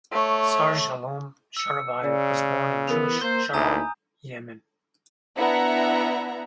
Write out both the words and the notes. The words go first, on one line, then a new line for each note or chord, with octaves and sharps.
Sar Shalom Sharabi was born in Jewish Sharab, Yemen.
A3 C#5
E6 C#7
C#3 D5
E3 B3 A#4 F7
A#3 A#4 C5 G6 G7
D2 A#3 D#4 E4 G#5 A#5 D#6
B3 D4 E4 E5 F#5 A#5